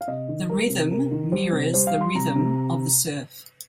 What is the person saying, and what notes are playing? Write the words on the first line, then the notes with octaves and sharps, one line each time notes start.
The rhythm mirrors the rhythm of the surf.
F5
C3 D#5
D#3
G3 A#4
C3
C3 A#4
D#3
G3 C5
C3
G3 C5
F5
G3
C6
C3 A#5
C3